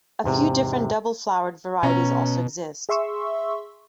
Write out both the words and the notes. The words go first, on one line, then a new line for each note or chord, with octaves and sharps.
A few different double-flowered varieties also exist.
E2 G#2 C3
B2 C#4 A#5
G#4 E5 C6 C#6 E6